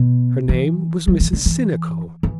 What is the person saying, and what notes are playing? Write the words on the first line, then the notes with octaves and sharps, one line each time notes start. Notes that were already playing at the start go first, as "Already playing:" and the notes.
Her name was Mrs. Sinico.
Already playing: B2
E3
F#3
E3
D3
E3
E3